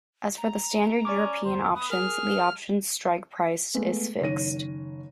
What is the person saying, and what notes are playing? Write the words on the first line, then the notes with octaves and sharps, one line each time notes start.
As for the standard European options, the option's strike price is fixed.
A#5
C#4 D5 C#6 D6
G1 E2 C5
B3 D#6
G#4 A#4 F6
G#3 A3 B3
F#1 D#3 C#5 A#6 D#7